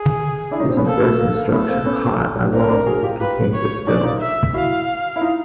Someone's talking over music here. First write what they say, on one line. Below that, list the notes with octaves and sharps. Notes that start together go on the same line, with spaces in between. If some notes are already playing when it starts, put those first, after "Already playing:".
It is an earthen structure, high by long and contains of fill.
Already playing: G#4
D4 E4
C#4 D#4
C4 D4
B3 C#4
A#3 C4 A4
A3 B3
A#3
A#3
A3 B3 A4
A#3 C4
B3 C#4
C4 D4 A#4
C4 D4
F#4 G#4
F4 G4
F4 G4 B4
C#5
C#4 D#4 D5
D#4 F4
E5
E4 F#4 F5
E4
D#4 F4